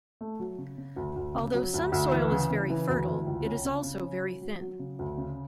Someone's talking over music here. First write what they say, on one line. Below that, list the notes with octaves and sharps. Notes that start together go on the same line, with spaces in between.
Although some soil is very fertile, it is also very thin.
A3
F#3
C#3
C#3
D2
D2
C#3
F#3
D2
D2
E3
C#3
C#3
E3
D2
D2
C#2
C#4
C#3
C#3
C#4
F#3
F#3
F#3
C#3
D2
C#3